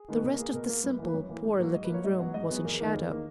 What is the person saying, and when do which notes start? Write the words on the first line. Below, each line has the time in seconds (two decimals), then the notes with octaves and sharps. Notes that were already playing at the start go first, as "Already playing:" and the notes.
The rest of the simple, poor-looking room was in shadow.
Already playing: G#4
0.08 D#3 G#3 B3
0.23 B2 A#4
0.38 A#3 G#4
0.53 B2 A#4
0.69 A#3
0.84 F#2 B4
0.99 E3 A#3
1.08 B4
1.14 F#2 C#5
1.29 E3 A#3
1.44 G#2
1.60 F#3 A#3
1.74 G#2 D#5
1.84 B4
1.89 F#3 A#3 C#5
2.04 G#2 D#5
2.19 F#3 B3 F#5
2.34 G#2 D#5
2.49 F#3 B3 G#4
2.65 E2 A#4
2.80 D#3 A#3
2.94 E2
3.10 D#3 A#3